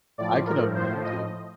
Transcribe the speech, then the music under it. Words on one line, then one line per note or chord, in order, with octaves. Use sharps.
I can imagine.
A2 F3 D5
A#4
C5
D#5